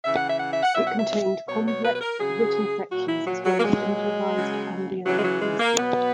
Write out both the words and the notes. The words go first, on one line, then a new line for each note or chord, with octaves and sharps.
It contained complex written sections as well as improvised ambient pieces.
C#3 E3 E5
F#5
E5
F#5
E5
F#5
B2 F#3 E5
F#5
E5
B2 F#3 C#5
C#5
B4
B4
A#4
C#3 F#3 G#4
A#2 F#3 F#4
E4
F#3
F#3
A#3
A#2 F#3 G#3
C#3 F#3
C#3 E3 F#3
G#3
F#3
G#3
A#3
B2 F#3 B3